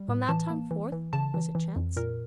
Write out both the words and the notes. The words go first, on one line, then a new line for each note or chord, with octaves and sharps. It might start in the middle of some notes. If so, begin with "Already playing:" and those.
From that time forth, was it chance?
Already playing: G3
A2
E3 A5
A#3
E3
E3
C#3 A5
E3
E3
F2
A#2 A#4